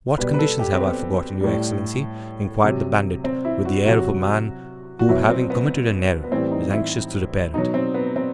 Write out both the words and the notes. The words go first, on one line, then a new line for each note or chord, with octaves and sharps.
"What conditions have I forgotten, your excellency?" inquired the bandit, with the air of a man who, having committed an error, is anxious to repair it.
B2 G3 B4
B4
A4
G4
C4
B3
A2 G3
C3 F#3
C4
E4
F#4
C3 F#4
F#3
F#4
B2 F#3 E4
C4
B3
B3
A2 E3 G3 C4
D#4
E4
B2 F#3 D#4
C4
B3
C4